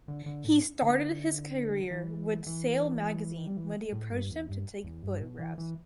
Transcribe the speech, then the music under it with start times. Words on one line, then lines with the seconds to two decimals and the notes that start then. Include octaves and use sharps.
He started his career with "Sail Magazine" when they approached him to take photographs.
0.08 D3
0.26 D3
0.44 A2
0.82 D3
1.91 E3
2.47 E3
3.46 G3
3.57 E3
3.92 A2
4.11 G2
4.30 E2
4.48 G2
4.84 E2
5.03 G2
5.21 B2
5.39 E3
5.58 E3